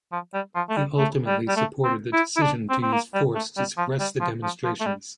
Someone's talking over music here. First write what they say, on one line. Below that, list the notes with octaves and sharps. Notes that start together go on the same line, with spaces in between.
He ultimately supported the decision to use force to suppress the demonstrations.
F3
G3
F3
A3
G3
A3
G3
G3
A3
C4
E4
E4
D4
C4
C4
A#3
G3
A3
G3
F3
G3
F3
F3
F3
A3
G3